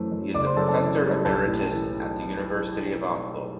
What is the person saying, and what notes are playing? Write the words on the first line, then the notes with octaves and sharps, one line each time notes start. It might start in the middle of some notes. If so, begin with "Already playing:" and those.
He is a Professor Emeritus at the University of Oslo.
Already playing: F#2 E3 A3 C5
F#2
F#1 D5 D6
C5 C6
F#2 A4 A5
A4 A5
E3
G3
B1 A4 A5
A2
E3